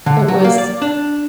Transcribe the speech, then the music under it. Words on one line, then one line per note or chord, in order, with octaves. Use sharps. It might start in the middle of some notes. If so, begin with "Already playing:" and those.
it was
D3
F#3
A#3
D5
D4